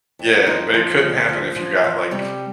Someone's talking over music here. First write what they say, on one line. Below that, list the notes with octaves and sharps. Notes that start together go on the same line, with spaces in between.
Yeah, but it couldn't happen if you got, like,
F2
F3 D#4
F3
D2
F3
F3
F3
C3 G3